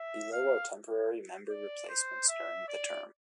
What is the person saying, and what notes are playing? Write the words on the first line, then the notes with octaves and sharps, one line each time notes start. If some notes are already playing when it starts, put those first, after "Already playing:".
Below are temporary member replacements during the term.
Already playing: E5
F5
D5
C5
E5
D5